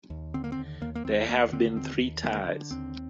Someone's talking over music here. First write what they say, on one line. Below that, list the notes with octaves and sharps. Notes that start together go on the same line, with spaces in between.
There have been three ties.
D#2
D3 C4
A#3
C4
D#2
D#2 A#3
A#3
D#2 C4
D#2 A#3
D3 C4
D#2 C4
D#2
D3 A#3
D3
D#2 C4